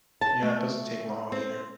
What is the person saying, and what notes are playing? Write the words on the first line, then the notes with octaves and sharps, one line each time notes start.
Yeah, it doesn't take long, either.
A5
A3
C4